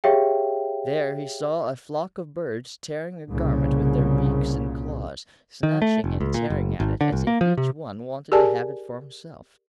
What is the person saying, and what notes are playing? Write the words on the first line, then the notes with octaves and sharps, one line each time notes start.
There he saw a flock of birds tearing a garment with their beaks and claws; snatching and tearing at it as if each one wanted to have it for himself.
G4 G#4 C#5 E5 F5 G5
C2 A#2 C#3
D#3
A3
F1
C#2
A#2
F#1
G#1
D3
C2
A#3
F3
C3
G4 G#4 A#4 D5 G#5 A5